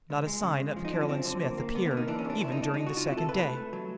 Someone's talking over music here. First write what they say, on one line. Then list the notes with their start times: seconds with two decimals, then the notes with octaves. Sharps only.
Not a sign of Caroline Smith appeared even during the second day.
0.10 C#2
0.27 G#3
0.43 C#3
0.60 G#3
0.76 F3
0.85 D#4
0.92 F#2 D4
1.01 C#4
1.09 F3 C4
1.25 D3
1.41 A#3
1.58 A#3
1.75 D3 B3
1.86 B3
1.91 A#3
1.97 D#4
2.08 E3 D4
2.19 C#4
2.25 C3
2.30 D4
2.40 C#2 E4
2.52 D#4
2.57 C#2
2.62 D4
2.74 C#2 D#4
2.87 C#2 F#4
2.97 F4
3.06 C3 E4
3.17 A4
3.23 C#2
3.29 B4
3.40 A3
3.57 A3
3.73 F#3